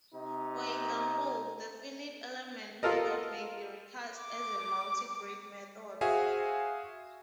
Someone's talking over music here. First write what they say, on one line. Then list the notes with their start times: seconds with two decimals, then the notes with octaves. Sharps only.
For example, the finite element method may be recast as a multigrid method.
0.14 C3 D#4
2.83 F4 A4 A#4 D#5
4.21 D6
6.01 F#4 G#4 C5 E5 F5 G#5